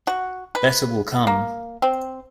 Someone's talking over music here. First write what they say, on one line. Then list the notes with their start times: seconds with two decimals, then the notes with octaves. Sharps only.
Better will come.
0.07 F#4
0.55 B4
1.27 A#3
1.82 C4